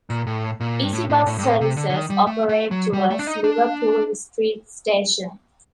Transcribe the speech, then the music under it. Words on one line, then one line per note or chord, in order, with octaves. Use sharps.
EasyBus services operate towards Liverpool Street station.
A#2
A2
A#2
G2
A2
A2
A2
G2
A2
C3
D3
D3
D#3
G3
A3
A3
F#3
G3
A3
D4
D#4
D4